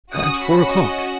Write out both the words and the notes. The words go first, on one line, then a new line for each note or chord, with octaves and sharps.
"At four o'clock."
C#4 F#4 D#6
B5
D#5